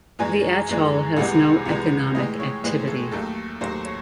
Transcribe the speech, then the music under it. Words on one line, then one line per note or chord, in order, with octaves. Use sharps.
The atoll has no economic activity.
F#2 E3 G#3 G#5
F#2 E3 G#3
C2 C3 E3 G#3 F#5
C2 C3 E3 G#3
A2 E3 G#3 D#5
C#5
A2 E3 G#3 C5
A4
D#2 D#3 F#3 A3 A4
D#2 D#3 F#3 A3 C5
C#5